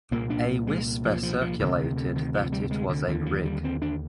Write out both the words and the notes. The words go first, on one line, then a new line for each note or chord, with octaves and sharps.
A whisper circulated that it was a rig.
C2 A#2 A#3
D4
G#3
F3
F3
F3
D2 C3 D#3
D#3
D3
D#3
F3
G3
G#3
D3
D#2 D3
F3
G3
C4
D4